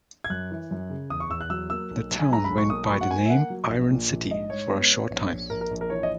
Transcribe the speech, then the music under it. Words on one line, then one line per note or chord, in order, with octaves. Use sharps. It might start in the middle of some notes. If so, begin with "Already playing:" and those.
The town went by the name "Iron City" for a short time.
G#6
F#2 F#6
E3
F#2
C#3
E2 D#6
C#6
E2 E6
F#6
F#3 E6
A#3 E6
B1
B1
G#5
G#3 A#5
B5
B1
C#6
A#3 D#6
B5
F#3 C#6
F#5
A#3 G#5
E5
A#3 F#5
F#3
A#1
A#2
A#1
G#2 D#5
G#2 C#5
B3
B3
A#1
A#1
A#1 A#4
A#4
A#1
A#4
E3 C#5
D#5